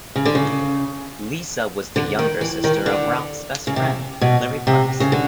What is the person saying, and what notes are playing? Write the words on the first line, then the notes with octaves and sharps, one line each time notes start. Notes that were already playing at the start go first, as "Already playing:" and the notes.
Lisa was the younger sister of Ralph's best friend, Larry Parks.
C#3
D3
C#3
D3
D#3
E3
D#3
D3
C#3
C3
B2
C3
C#3
D3